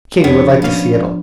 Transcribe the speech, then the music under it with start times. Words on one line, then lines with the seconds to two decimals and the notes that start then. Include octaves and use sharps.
Katy would like to see Italy.
0.24 F2 F3 B3 D4 C#5
0.62 B2 A#3 C#4 F4 F5